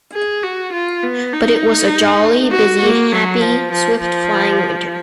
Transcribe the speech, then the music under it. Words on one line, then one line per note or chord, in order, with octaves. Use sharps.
But it was a jolly, busy, happy swift-flying winter.
G#4
F#4
F4
B3
D#4
F#4
A#3
F#3
F3
F3
F3